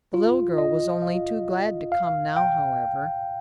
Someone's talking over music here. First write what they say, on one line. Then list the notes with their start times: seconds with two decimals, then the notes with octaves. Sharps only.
The little girl was only too glad to come now, however.
0.14 F4
0.58 D#5
1.02 F5
1.92 F5
2.37 G5